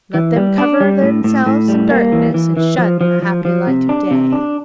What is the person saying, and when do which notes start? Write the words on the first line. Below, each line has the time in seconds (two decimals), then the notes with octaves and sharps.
Let them cover themselves in darkness and shun the happy light of day.
0.14 E3
0.36 G3
0.58 D4
0.80 G3
1.02 A2
1.24 A2
1.46 A2
1.68 G3
1.90 A#3
2.12 E3
2.34 E3
2.57 E3
2.78 F3
3.01 F3
3.22 F3
3.45 F3
3.67 C3
3.89 D4
4.11 C3
4.33 D4